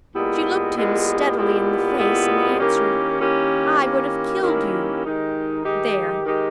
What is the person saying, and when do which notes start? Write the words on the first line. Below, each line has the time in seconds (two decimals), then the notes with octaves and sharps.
She looked him steadily in the face, and answered: "I would have killed you." There!
0.14 A#2 G#3 B3 E4 G4
0.76 A#2 G#3 B3 E4 G4
1.37 A#2 G#3 B3 E4 G4
1.98 A#2 G#3 B3 E4 G4
2.58 D#3 A#3 C#4 E4 G4
3.19 D#3 A#3 C#4 E4 G4
3.81 D#3 A#3 C#4 E4 G4
4.42 D#3 A#3 C#4 E4 G4
5.04 D#3 G#3 D#4 G4
5.64 D#3 G#3 D#4 G4
6.25 D#3 G#3 D#4 G4